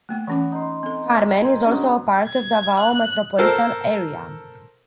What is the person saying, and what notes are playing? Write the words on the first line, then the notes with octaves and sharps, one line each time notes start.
Carmen is also a part of Davao Metropolitan Area.
A3 A#3 G5
E3 B3 C#4 D6
D#4 C6
C4 A4
A#4 C5 G#5
C#4 D4 F#4 G#4 C#5 D5
G#6
F#6
A4 A#4 C5